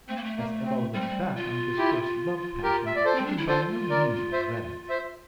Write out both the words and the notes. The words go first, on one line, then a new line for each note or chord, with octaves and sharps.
As M.O. looks back on this first love passion he can by no means regret it.
A3 C4
A#3
A3
A#3
C4
G3 C4
A3
G3
F4
E4 G4
G4 A#4
E5
D5
A4 C5
C4
D4
E4
F4 A4 C5
A#4 D5
C5 E5
C5 E5